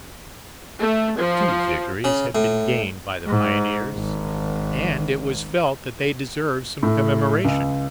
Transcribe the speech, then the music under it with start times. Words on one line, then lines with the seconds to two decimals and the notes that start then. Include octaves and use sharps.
Two victories had been gained by the pioneers, and it was felt that they deserved some commemoration.
0.79 A3
1.18 F3
2.04 C#3
2.35 A2
3.27 G#2
3.94 G#1
6.83 A2
7.45 C#2